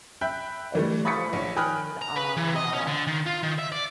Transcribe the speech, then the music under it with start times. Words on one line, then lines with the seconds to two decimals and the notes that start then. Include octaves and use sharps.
a challenging, uh
0.21 E5 G5 B5 F#6 G6
0.75 E3 G3 A3
1.05 B5 C#6 D#6 A6 B6 C#7
1.33 A#1 C#5
1.56 G5 G#5 B5 D#6 F6 F#6
2.01 A#5
2.16 B4
2.37 E3
2.56 D#5
2.73 C#4
2.87 D3
3.07 D#3
3.26 F4
3.43 D#3
3.58 E5
3.72 D5